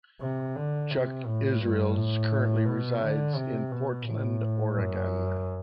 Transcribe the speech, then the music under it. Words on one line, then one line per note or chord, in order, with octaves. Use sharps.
Chuck Israels currently resides in Portland, Oregon.
C3
D3
C3
A2
G2
A2
B2
D3
C3
B2
A2
F#2